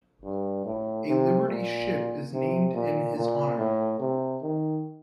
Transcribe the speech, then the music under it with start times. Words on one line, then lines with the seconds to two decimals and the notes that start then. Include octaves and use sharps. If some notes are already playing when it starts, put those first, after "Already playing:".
A Liberty ship is named in his honor.
0.24 G2
0.65 A2
1.08 C3
1.49 A#2
2.33 C3
2.74 A#2
3.17 A#2
3.58 A2
4.00 C3
4.42 D#3